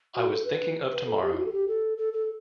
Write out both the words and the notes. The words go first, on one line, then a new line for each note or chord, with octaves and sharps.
I was thinking of tomorrow.
F#4
A4
B4
A4
G4
E4
F#4
A4
G4
A4
A4
A4